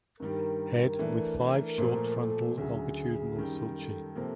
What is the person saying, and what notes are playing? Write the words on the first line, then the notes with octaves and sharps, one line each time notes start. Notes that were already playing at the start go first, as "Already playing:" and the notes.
Head with five short frontal longitudinal sulci.
G2 D#3 G3 A#4
E3 A3 D4
A#4
A#2 F3 A3
A4
D2 C#3 F#3 G#4
F#2 D#3 G3
A4
C3 F3 A#3